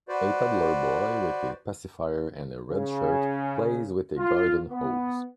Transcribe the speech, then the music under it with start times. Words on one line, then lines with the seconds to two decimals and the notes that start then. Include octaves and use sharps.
A toddler boy with a pacifier and a red shirt plays with a garden hose.
0.08 F#4 B4 C5 D5
2.69 C#3
4.18 F4
4.70 B3